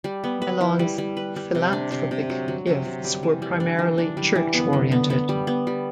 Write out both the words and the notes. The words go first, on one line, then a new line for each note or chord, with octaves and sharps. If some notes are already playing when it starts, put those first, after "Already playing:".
Mellon's philanthropic gifts were primarily church-oriented.
G3
B3
B4
E4
G3
G3
B4
G3
C3
D4
C3
C3
F#3
F#3
C3
F#3
G3
E3
G3
D4
E3
D4
G3
E3
B3
D3
B3
B3
G3
B3
G3